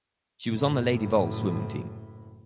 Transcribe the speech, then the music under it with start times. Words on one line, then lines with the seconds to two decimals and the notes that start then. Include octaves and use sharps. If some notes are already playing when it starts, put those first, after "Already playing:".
She was on the Lady Vols swimming team.
0.56 F#1 A2